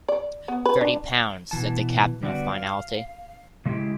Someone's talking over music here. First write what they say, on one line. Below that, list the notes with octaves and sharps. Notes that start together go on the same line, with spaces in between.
Thirty pounds, said the captain with finality.
D5
B3
B4
D4
B2 E3 A5
D3 G3 B3 F#4 D5
F5
C#3 G#3 A3 E4 G4